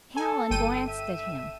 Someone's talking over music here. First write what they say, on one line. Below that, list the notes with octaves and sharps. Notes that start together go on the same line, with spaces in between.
Hallen glanced at him.
A4 G#5
G1 G5 D#7
E5